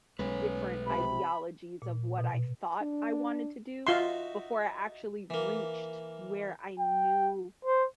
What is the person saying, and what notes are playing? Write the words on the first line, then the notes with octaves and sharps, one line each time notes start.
different ideologies of what I thought I wanted to do before I actually reached where I knew
B1 G#3 A3 C#4 B4
C3 B5
A#2
B2
D4
D#4 F4 F#4 E5 C6
E3 A#3
G5
C5